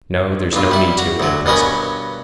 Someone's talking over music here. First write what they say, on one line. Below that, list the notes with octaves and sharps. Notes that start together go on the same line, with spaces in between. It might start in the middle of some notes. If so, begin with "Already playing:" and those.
"No, there's no need to, at present."
B1 G2 F4
G3 E4
F#4
D2 F#3
G2 B2 B3 C#4 A#4 C#5